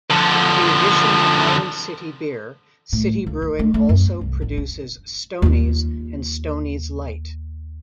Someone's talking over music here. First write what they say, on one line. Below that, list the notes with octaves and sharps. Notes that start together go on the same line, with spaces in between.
In addition to Iron City Beer, City Brewing also produces Stoney's and Stoney's Light.
D3 F3
A2
C#2
D2
A3
A3
F#2
B3
C2
A1
D4
D#2 F4